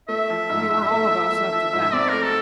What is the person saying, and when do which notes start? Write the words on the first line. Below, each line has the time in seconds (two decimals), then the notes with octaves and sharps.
We were all of us up to that.
0.09 A3 E5
0.30 F3
0.49 G#2
0.70 G#2
0.90 A3
1.11 F3
1.32 A3
1.53 F3
1.73 G#2
1.93 C4 D5
2.09 A3 A#4
2.24 A4